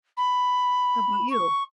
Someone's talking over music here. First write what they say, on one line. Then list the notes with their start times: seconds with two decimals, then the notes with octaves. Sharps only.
How 'bout you?
0.17 B5
1.30 C#6